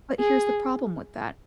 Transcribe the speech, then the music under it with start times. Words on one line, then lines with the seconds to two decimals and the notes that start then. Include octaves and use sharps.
But here's the problem with that.
0.20 G#4